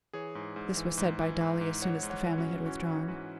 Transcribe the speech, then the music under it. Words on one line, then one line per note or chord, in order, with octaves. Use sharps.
This was said by Dolly as soon as the family had withdrawn.
E3 G#4 C#5
G#2
G#2
E3
G#2
E3
G#2
G#2
G#2 C#5 F#5
G#2
C#5 F#5
E3
C#4 F#4
G#2
E3 C#4 F#4
E3
G#2 F#4 B4